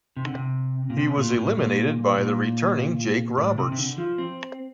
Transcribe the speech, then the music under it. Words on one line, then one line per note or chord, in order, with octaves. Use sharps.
He was eliminated by the returning Jake Roberts.
C3
D3
C3
A#2
C3
C3
A#2
A2
A#2
A#2
A2
C3
C3
D3
F3
C4